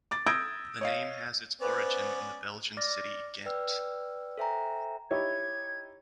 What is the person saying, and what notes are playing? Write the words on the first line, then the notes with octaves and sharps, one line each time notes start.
The name has its origin in the Belgian city Ghent.
D6 A6
D#6 E6 G6 G#6 A#6 D7
C#5 D#5 F5
B3 C#4 B4 C5 D5
D5 D6 F6 A6 A#6
B4 D5 G5 E6 F6
A4 C5 E5 G5 G#5 A#5
D#4 E4 G4 C#5 G#6